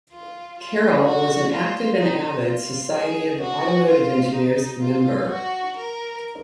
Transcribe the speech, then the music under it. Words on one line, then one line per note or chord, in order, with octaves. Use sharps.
Carroll was an active and avid Society of Automotive Engineers member.
F4
F4
F#4
F4
D#4
F4
G#4
F#4
F4
D#4
F4
F#4
A#4